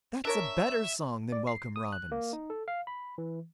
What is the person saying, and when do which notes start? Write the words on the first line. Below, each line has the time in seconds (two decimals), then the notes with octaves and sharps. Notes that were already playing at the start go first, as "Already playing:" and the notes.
That's a better song than Welcome Robin's.
0.25 D4 A#4 C#5 E5
1.32 D5
1.47 C7
1.76 D#6
1.93 F#6
2.12 A#3
2.33 D#4
2.50 A4
2.68 F5
2.87 B5
3.18 E3